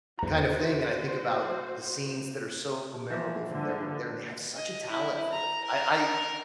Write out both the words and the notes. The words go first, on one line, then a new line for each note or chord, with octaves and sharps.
kind of thing. And I think about the scenes that are so memorable from their work there, and they have such a talent for it. I I
E2 F#4 C5 A#5
E3 F3 A#3
D3
D#5
E4
A#5
A#4